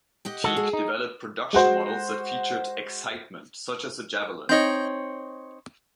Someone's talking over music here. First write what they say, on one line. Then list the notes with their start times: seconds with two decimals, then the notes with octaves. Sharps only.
Teague developed production models that featured "excitement" such as the Javelin.
0.25 G4 D#5 F#5
0.44 G#3 F#4 A4
0.56 G#4
0.73 D#4
1.53 G#3 F#4 C5
4.49 C4 D#4 C#5 D#5 G6